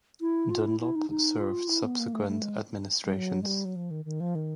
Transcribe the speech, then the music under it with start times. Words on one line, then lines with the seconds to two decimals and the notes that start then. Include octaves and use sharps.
Dunlop served subsequent administrations.
0.21 E4
0.50 F4
0.65 E4
0.80 E4
0.95 D#4
1.10 D#4
1.40 F4
1.68 E4
1.83 B3
1.99 A#3
2.13 A3
2.28 A3
2.42 G#3
3.05 G3
3.16 F#3
3.42 G#3
3.46 G3
3.65 F#3
3.76 F3
3.91 D#3
4.05 D#3
4.20 F3
4.35 D#3